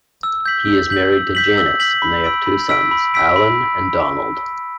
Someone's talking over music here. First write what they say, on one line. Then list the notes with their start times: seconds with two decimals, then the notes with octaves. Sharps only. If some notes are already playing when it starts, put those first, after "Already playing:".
He is married to Janice, and they have two sons, Alan and Donald.
0.23 E6
0.46 G6 B6 F#7
0.68 E6
0.90 G6 B6 F#7
1.12 E6
1.35 G6 B6 F#7
1.58 E6
1.80 G6 B6 F#7
2.02 B5
2.24 E6 B6 D7
2.46 B5
2.69 E6 B6 D7
2.91 B5
3.14 E6 B6 D7
3.36 B5